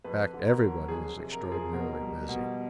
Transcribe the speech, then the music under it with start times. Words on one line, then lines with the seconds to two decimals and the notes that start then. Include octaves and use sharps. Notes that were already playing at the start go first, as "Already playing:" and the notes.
In fact, everyone is extraordinarily busy.
0.04 F2 B4
0.34 D3
0.46 A#4
0.60 F#3
0.88 F2 G#4
1.17 C3
1.32 A#4
1.45 F3
1.52 G#4
1.73 B2 A#4
2.01 G3
2.29 B2